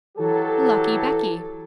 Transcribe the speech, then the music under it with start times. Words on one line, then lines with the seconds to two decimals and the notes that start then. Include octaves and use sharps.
'Lucky Becky!
0.18 E3 F#3 G4 A4